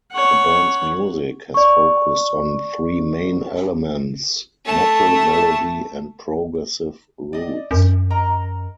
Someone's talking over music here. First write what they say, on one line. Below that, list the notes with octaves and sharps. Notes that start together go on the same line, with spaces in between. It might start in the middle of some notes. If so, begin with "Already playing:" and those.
The band's music has focused on three main elements: metal, melody, and progressive roots.
C#5 F#5
D5 C#6
A3 A5
D5 D#5
F#2
A#4 D#5 A#5